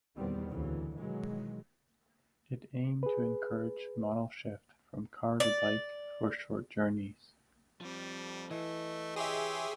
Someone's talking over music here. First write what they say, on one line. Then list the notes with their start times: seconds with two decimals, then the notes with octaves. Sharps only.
It aimed to encourage modal shift from car to bike for short journeys.
0.17 E2 A#2 D#3 G3 B3 C4
0.51 D2 C#3 E3 F#3
0.98 B2 D#3 E3 F#3 G#3
3.03 G#4 B4
5.40 D5
7.81 F3 G3 C4
8.51 E3 A3 D#5
9.16 G4 G#4 C#5 E5 C6